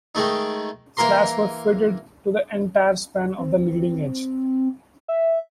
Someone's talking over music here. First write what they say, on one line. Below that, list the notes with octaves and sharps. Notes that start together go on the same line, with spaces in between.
Slats were fitted to the entire span of the leading edge.
D#3 G#3 A3 D#4
E3 A#3 A#4 A#5 C6
C4
E5